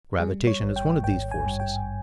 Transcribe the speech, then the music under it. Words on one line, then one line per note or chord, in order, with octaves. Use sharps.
Gravitation is one of these forces.
G3 G#4
C#5
G#1
G5
G#1 G5
G#5
G2
G5